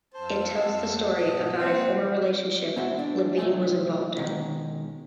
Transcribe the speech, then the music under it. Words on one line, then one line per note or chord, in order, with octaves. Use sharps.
It tells the story about a former relationship Levine was involved in.
F2 C5 F5 A5 E6
G#3 F#5 A5
G#2 B2 D#5
A#3 C4 C5 F#5
B2 G#3 C4 E4 F#4
G#3 D4
C3 F#3 G#3 A3 G#4
B2 D#3 G#3 C#4 A#4